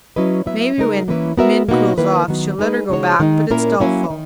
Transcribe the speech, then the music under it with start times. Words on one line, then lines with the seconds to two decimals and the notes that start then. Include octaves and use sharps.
Maybe when Min cools off, she'll let her go back but it's doubtful.
0.16 F#3 C#4 E4 B4 D#5
0.46 F#3 B3 E4 B4 E5
0.77 C#3 G#3 D#4 A#4
1.08 E3 A#3 C#4 E4 B4
1.37 B3 F#4 A#4 E5
1.68 B2 A#3 D#4 F#4 B4
1.98 D#3 A#3 E4 B4
2.28 D#3 F#3 B3 F#4
2.59 G#3 D#4 G#4 B4 D#5
2.89 C#3 G#3 D#4 F#4 C#5
3.20 D#3 G#3 D#4
3.51 A#2 A#3 C#4 E4 A#4
3.80 F#3 A#3 C#4 E4
4.10 D#3